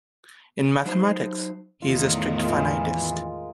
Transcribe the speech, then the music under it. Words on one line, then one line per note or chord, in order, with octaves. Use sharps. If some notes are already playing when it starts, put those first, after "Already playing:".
In mathematics, he is a strict finitist.
F#3 D#4 C5
E2 A2 D#3 F4
E3 G#3 F4 A#4